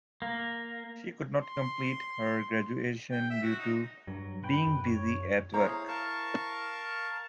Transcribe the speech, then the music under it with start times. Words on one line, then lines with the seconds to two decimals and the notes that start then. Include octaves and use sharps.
She could not complete her graduation due to being busy at work.
0.22 A#3
1.43 C6
3.11 G5
3.30 E5
3.43 F#4
3.59 D#4
4.07 G2 F#3
4.44 B4 G5
4.67 F#2
4.86 C#5
5.54 E4 G#4 C5 C#5 F5 A#5
5.88 A#4 F5 A5 C#6